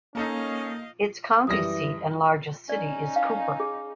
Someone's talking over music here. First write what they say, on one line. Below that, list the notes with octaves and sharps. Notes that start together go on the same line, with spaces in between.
Its county seat and largest city is Cooper.
A#3 C#4 D#4 A4 A#4 D#5 F5
F#2 E3 G3 D#6 A#6
C#4 D#4 D5
F5
G#4